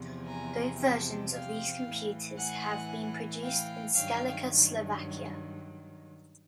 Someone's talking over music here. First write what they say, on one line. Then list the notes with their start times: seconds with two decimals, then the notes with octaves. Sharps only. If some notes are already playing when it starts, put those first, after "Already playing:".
Both version of these computers had been produced in Skalica, Slovakia.
Already playing: E2 C3 F3
0.26 G#5 A#5
0.79 G5 A5
1.32 F5 G5
1.85 A2 E3
2.37 F#5 G#5
3.42 F5 G5
3.95 G2 D#3 F#3 F5 G5